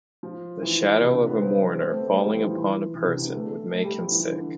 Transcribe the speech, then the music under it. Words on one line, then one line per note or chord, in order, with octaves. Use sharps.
The shadow of a mourner falling upon a person would make him sick.
F3
E3
C3
D3
B3
C4
C4
A3
B3
A3
G3
F3
E3
F3
E3
E3
C3
D3
B3
A3
A3
G3
F3
E3
D3